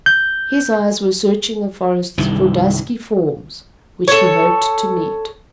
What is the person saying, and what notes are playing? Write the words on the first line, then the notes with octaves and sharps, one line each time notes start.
His eyes were searching the forests for dusky forms, which he hoped to meet.
G6
C2 G2 D#3 E3
A4 C#5